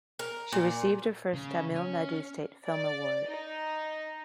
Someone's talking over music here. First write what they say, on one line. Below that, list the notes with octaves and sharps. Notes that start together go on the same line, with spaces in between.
She received her first Tamil Nadu State Film Award.
A#4
A#2
C#3
C#4
D5
D#4